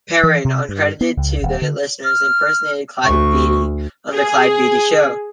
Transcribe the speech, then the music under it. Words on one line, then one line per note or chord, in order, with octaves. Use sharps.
Perrin, uncredited to the listeners, impersonated Clyde Beatty on The "Clyde Beatty Show".
E3
C3
G2
B3
C#2
D#1
D3
F6
D2 C#6
G#4